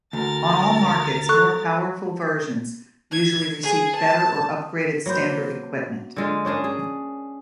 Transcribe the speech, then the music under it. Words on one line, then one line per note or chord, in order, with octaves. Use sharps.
On all markets more powerful versions usually received better or upgraded standard equipment.
D2 A#4 A6
A4 C#6 F#6
G#6
G#4
A5
F#3 A#3 B4 C5
D3 G#3 F4
C#4 D4 G#4 A#4
G#4